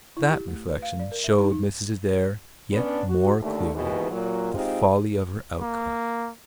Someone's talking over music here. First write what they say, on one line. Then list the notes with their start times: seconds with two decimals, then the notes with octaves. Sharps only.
That reflection showed Mrs. Adair yet more clearly the folly of her outcry.
0.17 E4
0.30 G4
0.48 A3
0.69 B4
0.82 F5
0.99 D5
1.12 A#4
1.24 E5
1.38 D#4
1.52 D#4
2.73 B3 C#4 D4
3.09 F#4
3.42 D#2 D3 A3
3.75 D#2 G#2 B2 E3
4.11 A#2 F#3
4.54 G#3 C4 D#4 F4 G4
5.61 A#3